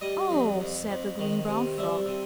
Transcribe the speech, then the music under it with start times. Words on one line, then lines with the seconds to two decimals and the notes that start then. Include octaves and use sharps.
"Oh!" said the Green Brown Frog.
0.01 G3 D#5
0.31 F2
0.60 F2
0.89 F2
1.19 D#3
1.48 C3
1.78 G3 E5
2.07 C3